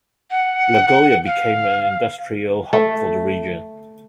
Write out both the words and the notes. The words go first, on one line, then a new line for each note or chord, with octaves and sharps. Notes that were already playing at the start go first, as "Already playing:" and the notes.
Nagoya became an industrial hub for the region.
F#5
F5
A3